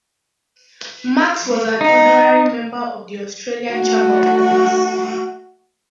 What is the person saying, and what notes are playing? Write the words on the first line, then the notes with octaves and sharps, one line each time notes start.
Max was an honorary member of the Australian Chamber of Commerce.
D#4
A3 F#4